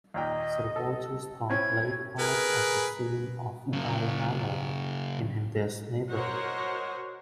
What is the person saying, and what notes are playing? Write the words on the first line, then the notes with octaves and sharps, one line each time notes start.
Sir Walter Scott laid part of the scene of "Guy Mannering" in this neighborhood.
D#2 A#2 D#5 G5
A4
C4 C#4 E4 G#6
G#4 A#4 B4
C#3 F#3
F#4 A#4 C5 C#5 D#5 F#5